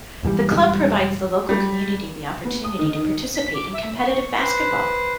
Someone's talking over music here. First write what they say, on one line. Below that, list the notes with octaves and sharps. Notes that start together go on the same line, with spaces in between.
The club provides the local community the opportunity to participate in competitive basketball.
E1 G#2 E3 G3
G3
B3
D#6
D#3
B6
D6
E5
C#6
B4 C5